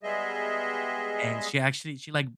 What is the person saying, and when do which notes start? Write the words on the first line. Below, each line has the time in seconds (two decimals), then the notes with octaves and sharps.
and she actually, she like
0.03 G3 G#3 B3 G#4 D#5 E5